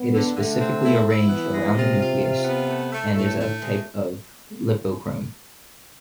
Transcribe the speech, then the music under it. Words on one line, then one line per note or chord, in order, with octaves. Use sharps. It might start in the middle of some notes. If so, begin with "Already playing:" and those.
It is specifically arranged around the nucleus, and is a type of lipochrome.
Already playing: B3
D3
D3 A3
C4
E4
E4
E3 B3
G#3
C3 F4
F4
F4
B3
A3
A3
A2 A3
A3
G#3